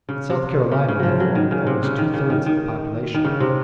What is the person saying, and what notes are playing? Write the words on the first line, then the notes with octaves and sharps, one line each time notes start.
In South Carolina they formed almost two-thirds of the population.
C#3
C3
C#3
C#3
F3 F#3
F#3
D#3
C#3
C3
C#3
D#3
C#3
D#3
D#3
D#3
C#3
C3